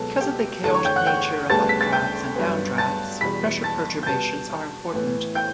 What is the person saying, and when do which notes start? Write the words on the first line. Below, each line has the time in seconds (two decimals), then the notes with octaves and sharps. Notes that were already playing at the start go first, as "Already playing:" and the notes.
Because of the chaotic nature of updrafts and downdrafts, pressure perturbations are important.
Already playing: C#2 B2 F#3 B3 A4 A5
0.21 G4 G5
0.64 E2 D3 A3 A4 A5
0.74 C#5 C#6
0.85 G5 G6
0.96 F#5 F#6
1.07 G5 G6
1.50 D2 C#3 G3 B3 A5 A6
1.69 B6
1.81 A6
1.93 G5 G6
2.35 G2 F#3 B3
2.78 A5 A6
3.21 E2 B2 G3 B5 B6
3.64 A5 A6
4.03 G6
4.07 B2 G3 B3 A5 A6
4.93 A2 E3 B3
5.35 G5 G6